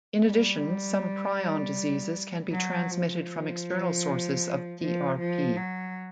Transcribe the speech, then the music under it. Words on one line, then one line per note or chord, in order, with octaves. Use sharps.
In addition, some prion diseases can be transmitted from external sources of PrP.
G3
F#3
F3
F3
F3
F#3